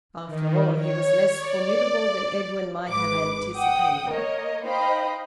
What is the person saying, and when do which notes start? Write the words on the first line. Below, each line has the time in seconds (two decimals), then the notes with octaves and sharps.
After all, he was less formidable than Edwin might have anticipated.
0.24 D#3
0.75 C#5
1.35 D5
2.89 G#1 G#3 B4 D6
3.55 F#5 G5 D#6
4.12 A#3 A#4 C#5 D#5
4.66 D#4 C5 D#5 F5 G5 B5